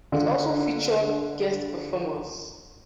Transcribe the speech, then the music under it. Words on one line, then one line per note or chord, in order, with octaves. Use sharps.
It also featured guest performers.
D3 F4